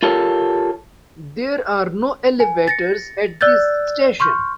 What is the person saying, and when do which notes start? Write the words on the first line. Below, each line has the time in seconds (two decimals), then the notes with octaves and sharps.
There are no elevators at this station.
0.03 F4 G4 A4 A#4 C#5
2.40 G#5
2.68 A6 A#6 C#7
3.41 D5 E6 F#6 G6 A6
4.20 C6 C#6 F6 G6